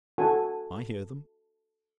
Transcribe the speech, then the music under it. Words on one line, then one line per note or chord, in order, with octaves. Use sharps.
I hear them.
F#4 A4 F#5 G#5